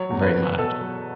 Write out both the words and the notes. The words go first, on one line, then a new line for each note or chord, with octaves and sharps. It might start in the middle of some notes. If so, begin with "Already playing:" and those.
very much.
Already playing: F#3 C#5
E2
B4
E2
B2 A4
F#3